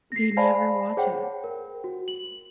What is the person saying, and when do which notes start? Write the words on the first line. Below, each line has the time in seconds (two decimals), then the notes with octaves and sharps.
They never watch it.
0.12 A#6 C7
0.37 C5 D5 F5 G#5 A5 B5
0.97 G#4 C5 C#5 F#5 G5
1.44 A#4
1.84 F#4
2.08 F#7